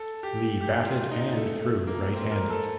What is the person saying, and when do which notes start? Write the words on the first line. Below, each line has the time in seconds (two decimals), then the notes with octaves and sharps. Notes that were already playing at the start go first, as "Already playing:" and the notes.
Lee batted and threw right-handed.
Already playing: A4
0.23 G4
0.61 G4
0.86 F4
1.11 D#4
1.37 A3
1.62 A3
1.87 A#3
2.13 C4
2.32 A#4
2.50 A4